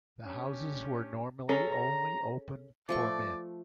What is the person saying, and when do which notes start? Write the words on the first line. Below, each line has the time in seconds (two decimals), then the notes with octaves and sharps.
The houses were normally only open for men.
0.25 C#4 D4 G4
1.49 C#4 G#4 A4 A#5
2.89 F3 A3 D5 C#6